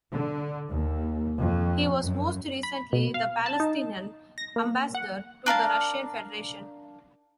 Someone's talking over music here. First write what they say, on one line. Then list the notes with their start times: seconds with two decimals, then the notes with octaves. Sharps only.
He was most recently the Palestinian ambassador to the Russian Federation.
0.11 D3
0.69 D#2
1.40 F2
2.01 F#2
2.63 B5
2.93 B2
3.14 F5
3.46 A5
3.60 D#4
4.38 A#6
4.56 A#3
4.95 F#5
5.46 D4 A#4 F5 A5